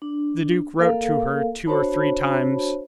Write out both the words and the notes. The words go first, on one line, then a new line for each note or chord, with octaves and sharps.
The duke wrote to her two or three times.
D4
A#3 A4 A#4 F5
D4 F#4 C5 C#5 A5 B5